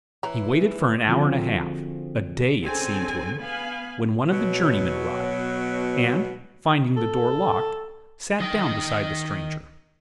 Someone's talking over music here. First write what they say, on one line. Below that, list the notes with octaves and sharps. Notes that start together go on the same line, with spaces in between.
He waited for an hour and a half,--a day, it seemed to him,--when one of the journey-men arrived, and, finding the door locked, sat down beside the stranger.
E3 B4 C#5 A#5
D3 F3 C4 F4 F#4 G#4
D3 C4 C#4 G#4 A4 G#5
B3 F5 G#5 B5
B2 F#3
A4
D#3 D#5 G5